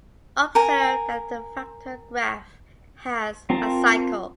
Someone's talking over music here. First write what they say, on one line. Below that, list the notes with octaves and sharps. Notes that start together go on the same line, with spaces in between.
Observe that the factor graph has a cycle.
A#4 G#5
C4 F4 A#4 A5 A#5